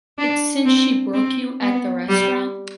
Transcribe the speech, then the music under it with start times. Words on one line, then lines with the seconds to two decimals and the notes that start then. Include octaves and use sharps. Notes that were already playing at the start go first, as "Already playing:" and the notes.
It’s since she broke you at the restaurant?
0.18 D4
0.65 C4
1.13 C4
1.61 B3
2.09 G3